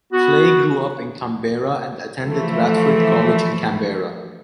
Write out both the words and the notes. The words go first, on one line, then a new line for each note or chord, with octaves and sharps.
Clay grew up in Canberra and attended Radford College in Canberra.
B3 F#4
E3 F3 A3